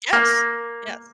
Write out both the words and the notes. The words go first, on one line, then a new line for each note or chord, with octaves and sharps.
Yes, yes.
A#3